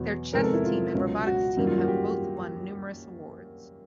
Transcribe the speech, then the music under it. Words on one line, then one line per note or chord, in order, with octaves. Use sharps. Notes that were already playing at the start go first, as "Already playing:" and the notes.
Their chess team and robotics team have both won numerous awards.
Already playing: E2 B2 F#3 B3
F2 C3 D#3 G#3 B3 A#4
A4
E4
F4
C#2 B2 F#3
F#4
F#2 D#3 G3 A#3
F4
F#4
G4